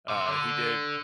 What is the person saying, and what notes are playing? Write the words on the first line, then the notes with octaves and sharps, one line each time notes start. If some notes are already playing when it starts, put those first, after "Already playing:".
Uh, he did.
C3
D3